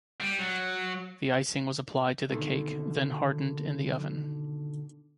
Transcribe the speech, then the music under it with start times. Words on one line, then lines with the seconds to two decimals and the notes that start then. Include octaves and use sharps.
The icing was applied to the cake then hardened in the oven.
0.21 G3
0.39 F#3
2.30 B2 D3 D#3 A3